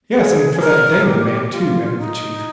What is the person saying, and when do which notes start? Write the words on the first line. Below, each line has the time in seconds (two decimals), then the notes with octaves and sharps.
"Yes, and for that Damon man, too," added the chief.
0.13 G#4
0.59 A#4
1.06 G4
1.52 F4
1.99 D#4